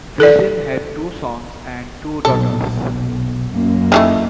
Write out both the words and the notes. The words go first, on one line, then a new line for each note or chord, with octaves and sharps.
Vezin had two sons and two daughters.
A4 D5
B1 A#2 A4
B1
F#2 A#3
D#3 E3 A3